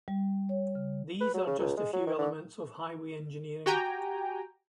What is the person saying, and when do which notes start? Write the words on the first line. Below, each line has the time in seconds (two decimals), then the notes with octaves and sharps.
These are just a few elements of highway engineering.
0.08 G3
0.49 C#5
0.75 C#3
1.21 B4
1.34 F#3
1.47 C#3
1.59 C#2
1.77 G#3
1.93 F#3
2.07 D#3
2.18 D3
3.66 F#4 G4 G5 G#5 A#5